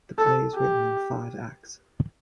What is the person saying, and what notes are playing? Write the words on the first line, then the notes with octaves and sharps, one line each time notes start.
The play is written in five acts.
A4
G4